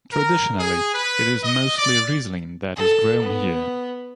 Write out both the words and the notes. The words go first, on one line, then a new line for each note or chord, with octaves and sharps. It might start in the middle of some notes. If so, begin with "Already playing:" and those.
Traditionally, it is mostly Riesling that is grown here.
A#4
G#4
B4
D#5
D5
A4
B3